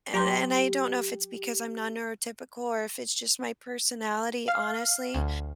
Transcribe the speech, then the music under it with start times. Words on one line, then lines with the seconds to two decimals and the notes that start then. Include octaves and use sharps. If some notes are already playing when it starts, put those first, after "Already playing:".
and and I don't know if it's because I'm non-neurotypical or if it's just my personality, honestly,
0.14 F#3 G4 A#5 C6
4.48 F5
5.15 D2